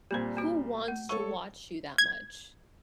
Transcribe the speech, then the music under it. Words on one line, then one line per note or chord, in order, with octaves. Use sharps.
"Who wants to watch you that much?
A#2 G3 A#3 C4 C5
A#3 F#4
A3
G#3 A4 C#5 C#6
G#6